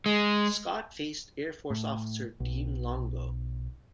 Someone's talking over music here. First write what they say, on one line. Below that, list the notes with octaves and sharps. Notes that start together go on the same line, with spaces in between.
Scott faced Air Force officer Dean Longo.
G#3
A2
B1